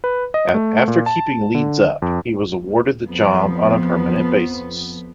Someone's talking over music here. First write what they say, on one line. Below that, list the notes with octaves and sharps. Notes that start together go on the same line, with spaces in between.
After keeping Leeds up, he was awarded the job on a permanent basis.
B4
D#5
A3
A#2
A5
D3
F2
F2 F3 B3